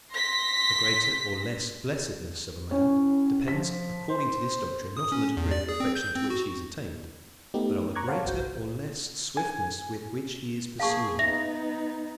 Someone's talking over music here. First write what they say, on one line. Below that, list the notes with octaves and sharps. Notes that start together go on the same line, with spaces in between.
The greater or less blessedness of a man depends, according to this doctrine, not on the degree of perfection to which he has attained, but on the greater or less swiftness with which he is pursuing it.
C6 A#6 B6
A2 C#4 C#5
F3 B6
C5
D#6
C#4
E2
D5
G#4
C4
G6
C4
F#4
A3 B3 D#4 G4
A#5 C#6 D6 F#6 G#6
C5 C#5 F5 F#5 A5
G1 C2 F#4 G6
G#5
A#3 G#4 F5 A5 C#6
B3 D#4 E5 A#6